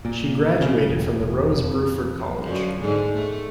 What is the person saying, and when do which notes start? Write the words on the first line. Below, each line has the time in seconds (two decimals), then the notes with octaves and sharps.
She graduated from the Rose Bruford College.
0.05 A#2
0.61 C#3
0.88 E1
1.20 E1
1.55 F2
2.43 F#2 D3 F3
2.80 G#2 D3
3.14 A3